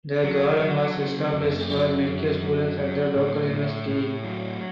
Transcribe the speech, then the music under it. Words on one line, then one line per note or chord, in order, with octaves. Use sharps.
The garden was established for medical students at the local university.
F#3
F#3
C#3
F#2
F#3
F#2
F#3
F#3
A2
A2
A2
F#3